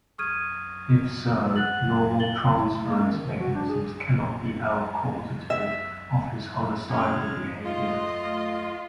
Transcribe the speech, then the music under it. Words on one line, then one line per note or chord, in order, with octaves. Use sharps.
If so, normal transference mechanisms cannot be held causative of his homicidal behavior.
C#6 D#6 F6 G#6 D#7
F#5 F#6 A6 F#7
A6 F#7 G7
E4
A3
A#3
F#2
D#3
F3
F#4
D4
G#4
E5
G#3 C#4 F6
A3 F4 D#5 C6